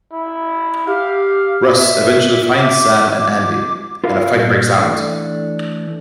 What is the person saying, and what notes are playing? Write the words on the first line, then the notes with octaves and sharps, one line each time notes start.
Russ eventually finds Sam and Andy, and a fight breaks out.
E4
G4 F5
E5
D6
F4 A#4 B4 E5 F5
G2 A#2
E3 A3 D4